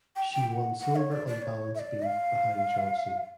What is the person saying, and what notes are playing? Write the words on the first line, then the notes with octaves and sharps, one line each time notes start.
She won silver on balance beam behind Johnson.
G5
G5
G5
F#5
F#5
C#5
D5
D5
C#5
E5
D5
F5